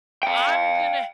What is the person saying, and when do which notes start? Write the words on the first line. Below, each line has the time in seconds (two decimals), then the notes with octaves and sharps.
I'm gonna
0.23 F5 G5